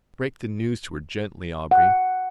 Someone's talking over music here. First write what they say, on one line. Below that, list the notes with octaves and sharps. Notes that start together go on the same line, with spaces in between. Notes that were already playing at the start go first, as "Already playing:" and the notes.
Break the news to her gently, Aubrey!
F#5